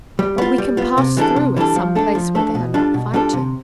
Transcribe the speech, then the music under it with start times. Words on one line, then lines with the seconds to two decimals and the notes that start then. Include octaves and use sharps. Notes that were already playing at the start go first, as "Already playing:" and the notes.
"But we can pass through at some place where they are not fighting."
0.19 G3
0.38 B3 F4
0.58 G3
0.77 B3 F4
0.98 C3
1.17 E3 G3 D4 A4
1.36 C3
1.56 E3 G3 D4 A4
1.76 F3
1.95 A3 D4 A4
2.15 F3
2.35 A3 D4 A4
2.55 B2
2.74 G3 D4 F4 A4
2.94 B2
3.14 G3 D4 F4 A4
3.33 C3